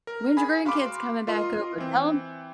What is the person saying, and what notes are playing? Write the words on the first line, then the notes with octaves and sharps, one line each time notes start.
when's your grandkids coming back over? Tell 'em
A#4
G#4 G#5 B5
F#4 F5 B5 C6 D6
F4 A#4 D#5 C6
E3 C4